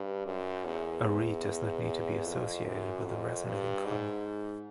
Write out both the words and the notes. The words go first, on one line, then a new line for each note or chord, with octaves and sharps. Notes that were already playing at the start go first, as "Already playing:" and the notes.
A reed does not need to be associated with a resonating column.
Already playing: G2
F#2
E2
F2
F#2
F2
G2
G#2